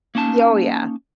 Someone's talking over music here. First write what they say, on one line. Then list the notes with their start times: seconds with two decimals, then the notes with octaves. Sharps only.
Y oh, yeah.
0.15 A#3 C#4 D#4 A5